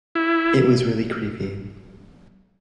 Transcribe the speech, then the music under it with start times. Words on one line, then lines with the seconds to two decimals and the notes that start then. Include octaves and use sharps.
It was really creepy.
0.15 E4